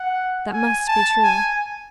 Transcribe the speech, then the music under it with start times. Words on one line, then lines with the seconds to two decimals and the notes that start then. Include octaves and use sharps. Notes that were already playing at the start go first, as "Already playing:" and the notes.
That must be true.
Already playing: F#5
0.53 G#5
0.88 A5
1.23 G#5